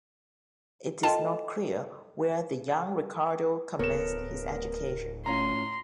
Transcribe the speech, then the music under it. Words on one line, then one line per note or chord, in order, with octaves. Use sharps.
It is not clear where the young Ricardo commenced his education.
F4 A4 D#5 G5 A5
D1 B3 A4 A#4 C#5 E7
A2 C#4 F4 A#5 C6